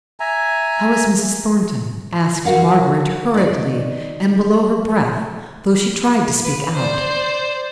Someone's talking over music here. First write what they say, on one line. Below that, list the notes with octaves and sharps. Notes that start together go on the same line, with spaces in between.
How is Mrs. Thornton?' asked Margaret hurriedly and below her breath, though she tried to speak out.
E5 G#5 A#5
F#4 A#4 F5 F#5
D#3 D5
B4
C5 D5